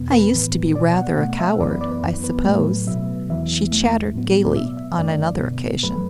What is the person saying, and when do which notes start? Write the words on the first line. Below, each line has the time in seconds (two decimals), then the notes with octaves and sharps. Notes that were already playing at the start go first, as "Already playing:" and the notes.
"I used to be rather a coward, I suppose," she chattered gaily on another occasion.
Already playing: E2 B2 B3
0.12 B4
0.33 A2 E3 B3
0.75 B3 D5
0.79 B2
0.96 F#5
1.17 B2 A3 F#5
1.39 E5
1.60 F#2 E3 B3 D5
1.71 B4
1.81 D5
1.91 B4
2.03 F#2 E3 B3
2.24 B4
2.45 A2 F#3 A3 B4
2.87 B2 F#3 B3 E5
3.29 E2 E3 B3 E5
3.71 E2 E3 A3
4.14 A2 F#3 B3
4.45 D5
4.56 B2 B3 E5
4.77 E5
4.98 F#2 D3 A3 D5
5.41 B2 B3
5.83 F#2 F#3 A3 B4